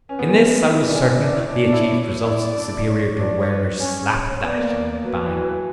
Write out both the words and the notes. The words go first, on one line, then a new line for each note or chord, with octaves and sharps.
In this I was certain he achieved results superior to Werner's slap, dash, and bang.
C#4 B4
B3
C#4 A#4
B4
C#5
E4 B4
D4
C#4
D4
D4
E4 C#5
D4 C#5
D4
E4
D4
E4 D5
D4
C#5
D4
C#5
B4
C#5
C#4 C#5
B3 D5
A#3
F#3 B4
E3
F#3